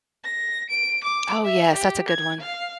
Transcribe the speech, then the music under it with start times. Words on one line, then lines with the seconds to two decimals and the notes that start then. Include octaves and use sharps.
Oh, yes, that's a good one.
0.24 A#6
0.70 D7
1.04 D6
1.45 E5
1.74 G4
2.08 G#6
2.40 F5